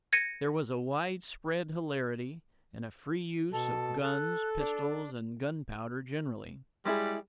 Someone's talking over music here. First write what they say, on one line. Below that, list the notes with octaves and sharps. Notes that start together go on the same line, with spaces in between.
There was a widespread hilarity, and a free use of guns, pistols, and gunpowder generally.
G#6 A#6 C#7 D#7
B2 A4
A4 F#6
D4
G3 G#3 E4 G#4